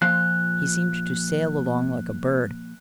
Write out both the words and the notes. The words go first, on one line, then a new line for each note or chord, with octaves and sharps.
He seemed to sail along like a bird.
A#2 F3 F5 F#6